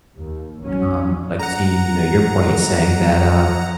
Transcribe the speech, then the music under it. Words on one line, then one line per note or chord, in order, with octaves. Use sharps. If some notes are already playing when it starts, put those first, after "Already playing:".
um, like to, you know, your point saying that, uh,
D#2
B1 A#2 D#3 F#3 C#4
F#5 A#5